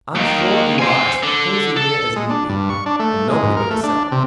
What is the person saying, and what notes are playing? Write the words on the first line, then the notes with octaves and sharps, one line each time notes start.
I'm sure you are as cosy here as need be, and nobody but yourself.
D#2 D#3
C5 G#5
D3
A4
G#3
D4
G2
C#6
D4
A3
G#3
G#2
A#4
A3
D4
C3